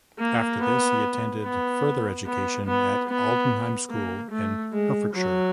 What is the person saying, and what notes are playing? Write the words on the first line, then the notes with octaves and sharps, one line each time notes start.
After this, he attended further education at Aldenham School in Hertfordshire.
A#3
B3
B3
B3
B3
B3
A#3
A3
G#3
F#3